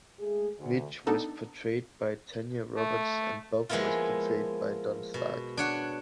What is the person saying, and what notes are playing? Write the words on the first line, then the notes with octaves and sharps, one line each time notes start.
Midge was portrayed by Tanya Roberts, and Bob was portrayed by Don Stark.
G#3 A3 G#4
D2
B3 D4 D#4 A4 A5
A3
F3 G#3 A#3 B3 E4 F4
B2
D4 C#5 F#5